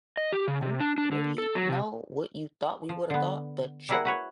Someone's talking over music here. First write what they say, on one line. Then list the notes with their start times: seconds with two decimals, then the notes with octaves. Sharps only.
don't really know what you thought we would've thought, but sure,
0.17 D#5
0.32 G4
0.48 C#3
0.62 C3
0.80 D4
0.98 D4
1.12 D3
1.38 A4
1.55 F#3
1.69 C3
2.89 F3
3.10 D3 B3
3.89 G3 A#3 E4 G#4 A#4 F#5
4.05 F#4 B4 C#5